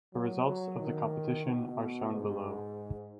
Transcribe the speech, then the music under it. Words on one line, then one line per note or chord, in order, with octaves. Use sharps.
The results of the competition are shown below.
F#3
F#3
D#3
B2
G#2